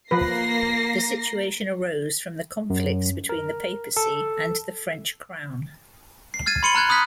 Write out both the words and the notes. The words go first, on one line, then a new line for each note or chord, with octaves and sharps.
The situation arose from the conflict between the papacy and the French crown.
F3 A#3 B4 A#6 C7
F#2
A#4
A4
C7
F6 G#6 A6 D#7
B5 C6 C#7 D#7 F#7 G7
A#5 F6 F#6 G#6
B5 D#6 F6 F#6 B6